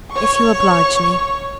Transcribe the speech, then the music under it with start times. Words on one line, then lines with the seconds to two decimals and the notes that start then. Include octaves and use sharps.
"If you oblige me."
0.12 C#5 C#6